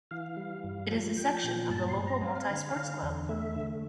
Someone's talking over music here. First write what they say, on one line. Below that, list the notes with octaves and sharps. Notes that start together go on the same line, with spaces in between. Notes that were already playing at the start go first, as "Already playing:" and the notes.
It is a section of the local multi-sports Club.
E3 F5
G3
G2
F3
F3 G5
A#2
G2 A5
C6
G2
A#5
C4 F5
D3
D3
E2
A3 E5
D3